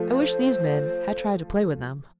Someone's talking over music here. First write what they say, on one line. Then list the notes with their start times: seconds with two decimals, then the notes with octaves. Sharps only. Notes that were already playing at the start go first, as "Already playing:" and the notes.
I wish these men had tried to play with them.
Already playing: F3 A3
0.09 A#4
0.14 C5